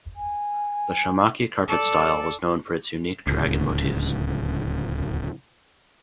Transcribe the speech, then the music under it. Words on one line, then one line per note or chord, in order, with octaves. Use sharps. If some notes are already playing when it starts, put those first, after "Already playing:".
The Shamakhi carpet style was known for its unique dragon motifs.
G#5
A4 D5
D1 C#2